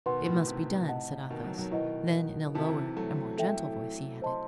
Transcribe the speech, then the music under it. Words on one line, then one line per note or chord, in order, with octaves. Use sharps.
"It must be done," said Athos; then in a lower and more gentle voice, he added.
B2 D#3 B4 F#5 C6
A2
A2 C3
G4 D#5 F#5 A5
B2 D#3
D#3 F#3
D#3 F#3
B2 D#3 E4 B4 D#5 F#5
C3 E3 D#4 F#4 A4 E5 A5
C3 E3
F#3 A3
E4 A4 E5 G5
C5 D#5 A5 C6